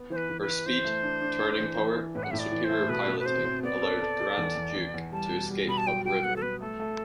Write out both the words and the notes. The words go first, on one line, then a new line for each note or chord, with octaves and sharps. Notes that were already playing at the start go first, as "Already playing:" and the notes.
Her speed, turning power, and superior piloting allowed "Grand Duke" to escape up river.
Already playing: B3
E3 C5
B4
E3
B4
E3
E3 C5
A3
D4
D4
A4
E3
E3
E3
A2 B4
F#5
A2 E5
D5
E3
C5
A3
B2 B4
B2
B4
C4 C5
C4
B3 D5
A4
A4
A4
E2
E2
E2
E2
G3 A5
B2
G3
B2 B5
A5
F#3 G5
F#4 G5
B3 F#5
A4
B3 B4
A3 A4
A3